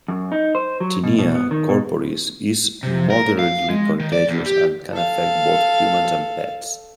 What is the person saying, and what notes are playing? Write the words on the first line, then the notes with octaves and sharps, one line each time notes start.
Tinea corporis is moderately contagious and can affect both humans and pets.
F#2
D#4
C5
F#3
B2
B2
B3
D#3
B2
C3
A#4
F5
G#3
D#3
D5
E2
G4
A4 F5